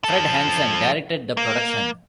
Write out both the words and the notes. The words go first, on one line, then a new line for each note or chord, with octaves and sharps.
Fred Hanson directed the production.
F3 A4
A#3